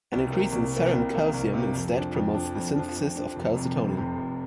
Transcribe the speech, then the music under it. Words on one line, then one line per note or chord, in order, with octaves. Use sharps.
An increase in serum calcium, instead, promotes the synthesis of calcitonin.
C2
C3 A#3
C2
C3 A#3
C2
C3 A#3
C2
C3 A#3
F2
F3 D4
F2
F3 D4
F2
F3 D4
F2
F3 D4
F1
F2 C3
F1
F2 C3
F1